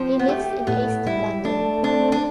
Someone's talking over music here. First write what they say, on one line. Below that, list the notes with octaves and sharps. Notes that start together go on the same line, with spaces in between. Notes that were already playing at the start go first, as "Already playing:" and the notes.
He lives in east London.
Already playing: F3 C4
B3
A3 G4
A2 B3
G3 E4
A3 D4
C4 D4
D4